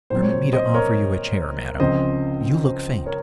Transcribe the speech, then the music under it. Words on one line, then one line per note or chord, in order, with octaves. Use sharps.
'Permit me to offer you a chair, madam; you look faint.'
A#2 F#3 C4 C5
C#5
C5
C5 D#5
A#4 C#5
C#2 C#3 F3 C4 C5 D#5
C5
A#4 C#5